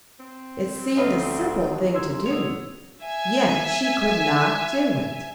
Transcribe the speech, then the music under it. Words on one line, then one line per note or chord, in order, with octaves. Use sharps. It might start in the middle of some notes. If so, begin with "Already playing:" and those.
It seemed a simple thing to do, yet she could not do it.
C4
D2 B4 D#5 F5
D#2 F#4 C#5
C6 E6 G#6
F#3 C#5 D#6
E5 G#5